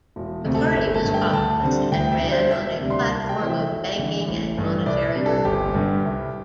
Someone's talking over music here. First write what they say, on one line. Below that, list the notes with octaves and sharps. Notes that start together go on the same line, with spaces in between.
The party was populist and ran on a platform of banking and monetary reform.
E1
D2 C3 A3 C4
A4
G1 E5
A5
G2 D3 A3
G5
D2 A5
D3 G3 C4
D2 G5
E5
D3 G3 D4
C5
E1 E5
D2 C3 G3 D4
C6
C2 A5
G5
C3 E3 A3 C4 G5
E5
E1
E2 D3
A1
G2 E3 A3
C2 D5
C3 G3 D4
A4
G1 G4
G2 D3 G3
C2